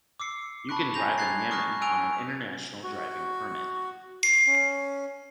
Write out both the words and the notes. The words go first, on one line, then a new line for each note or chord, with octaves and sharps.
You can drive in Yemen on an International Driving Permit.
D6 E6 C7 C#7
A5 B5 C#6 F#6
G#5 A#5 G6 A#6 F7
F#6 G#6 A6 C7
C#6 D#6 F6 F#6 A#6
G#5 E6 F#6 D7 F7
F#4
C#4